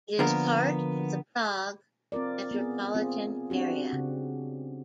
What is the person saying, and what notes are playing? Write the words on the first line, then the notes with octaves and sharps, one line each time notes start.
It is part of the Prague metropolitan area.
D3 F3 A#3 B3 A#4
C4 F4 A#4 D5
B3 G#4
C4 F4 G#4
C4 D4 F#4 G4
C#3